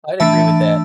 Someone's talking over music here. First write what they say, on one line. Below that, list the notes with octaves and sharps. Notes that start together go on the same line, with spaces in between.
I'd agree with that.
E3 A3 D4 E5 A5